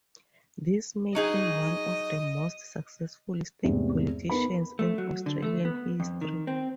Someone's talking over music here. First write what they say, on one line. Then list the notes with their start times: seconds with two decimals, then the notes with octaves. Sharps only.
This made him one of the most successful state politicians in Australian history.
1.15 F#3 D#4 G#4 D#5
3.63 E2 G#2 C3 A3
4.30 B3 D#4 A#4 B4 B5
4.79 A3
4.98 F#3
5.26 D3
5.42 A3
5.65 B3
6.00 F2
6.21 D#3
6.47 C4